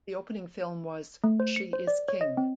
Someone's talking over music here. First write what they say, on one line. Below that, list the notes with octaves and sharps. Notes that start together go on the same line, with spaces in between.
The opening film was "She is King".
A3
C5
C#7
C5
D5
C#5
D#5
C4